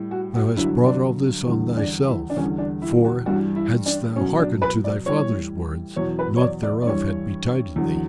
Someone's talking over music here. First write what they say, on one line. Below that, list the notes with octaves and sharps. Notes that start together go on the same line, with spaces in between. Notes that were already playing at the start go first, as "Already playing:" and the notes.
Thou hast brought all this on thyself; for, hadst thou hearkened to thy father's words, naught thereof had betided thee.
Already playing: A2 G3
F#4
F#4
G2 D3 F#3 E4
D4
E2 D3 G3
D4
E4
D4
E2 D3 G3 C#4
D4
E4
F#4
G2 E3 G3 F#4
E4
D4
B2 F#3 C#4
D4
B4
D5
A2 E3 G3 C#5
E2 B2 F#3 C#5
B4
C#5
D5
D5
D5
G2 E3 G3 C#5
E2 D3 F#3